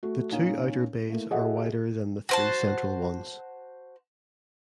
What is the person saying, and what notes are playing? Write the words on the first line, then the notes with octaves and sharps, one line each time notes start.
The two outer bays are wider than the three central ones.
A3 F#4
A#2 C#4 D#4 F5
A3 A#3 E4
F#4 G#4 A4 D#5 E5 F#5
F#4 C5 A5